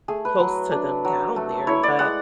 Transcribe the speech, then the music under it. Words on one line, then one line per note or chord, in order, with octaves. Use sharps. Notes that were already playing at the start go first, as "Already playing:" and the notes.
close to them down there. But,
A3 G#4
B4
F#3
D4
F#3
A3
E4 C#5
D5
G#3 F#5